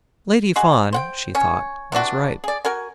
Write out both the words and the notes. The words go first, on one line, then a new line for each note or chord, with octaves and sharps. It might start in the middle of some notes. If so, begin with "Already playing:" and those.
Lady Fawn, she thought, was right.
G#3 F#4 G#4
C5 F#5 G5
C#4 C#5
C3 E3 D4 F#4
G#4 D5
F#4 A#4 G#5